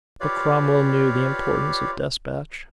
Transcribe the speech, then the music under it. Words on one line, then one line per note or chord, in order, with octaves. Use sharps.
But Cromwell knew the importance of despatch.
F4 G4 B4 C#5 D5 F5